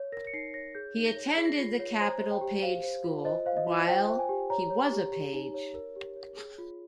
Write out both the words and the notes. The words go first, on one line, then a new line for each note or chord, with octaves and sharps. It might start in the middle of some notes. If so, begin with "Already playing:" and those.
He attended the Capitol Page School while he was a Page.
Already playing: C#5
A#4 A#6
C#7
D#4 C7
C#5 A#6
G#4 G6
D#4
A#6
C#5
G#4 C7
A#6
C7
F4
C#5
C5 A#5
C5
G5
G4
C5 F5
C5
F4
C5 D#5
C5 F5
D#5
F4
C5 G5
C5
G#5
G4
C#5 A#5
C#5
G4
G4
D#4
C#5
A#4
G4
C#5
G#4
F4